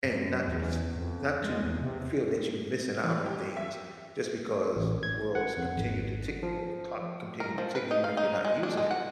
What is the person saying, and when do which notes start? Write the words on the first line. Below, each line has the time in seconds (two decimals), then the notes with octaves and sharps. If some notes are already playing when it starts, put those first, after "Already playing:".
and not to s not to feel that you're missing out on things just because the world's continued to tick or the clock continued to tick even if you're not using it.
0.04 F#2
0.48 E2
0.96 F2
1.44 G#3
1.63 E2
1.81 C3
3.04 E3
3.26 G4
3.57 E5
4.76 A1
5.03 G#6
5.35 F#5
5.57 F2
5.76 G#1
6.43 F3
7.40 A#4
7.58 F3
7.75 B4
7.91 D#4
8.04 F5
8.17 D#4
8.45 G#3
8.63 D4
8.77 G#3
8.91 F#5